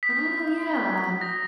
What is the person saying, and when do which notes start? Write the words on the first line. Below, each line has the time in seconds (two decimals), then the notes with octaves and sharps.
Oh, yeah.
0.03 D#6 G6 B6
0.42 D#6 G6
0.82 D#6 G6
1.21 D#6 G6 A#6